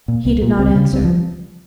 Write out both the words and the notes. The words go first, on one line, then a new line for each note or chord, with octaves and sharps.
He did not answer.
A#2
C2
A#2
C#2 C4
C#3
C#2 C4
F3